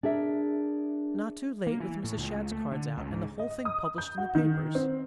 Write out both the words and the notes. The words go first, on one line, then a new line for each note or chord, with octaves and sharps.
"Not too late with Mrs. Shadd's cards out and the whole thing published in the papers?"
D4 G#4 A#4 E5
A#3
E3
A2
C#2
A3
D3
C#2
G#2
D#5
D#6
G6
F#4
D#3
C4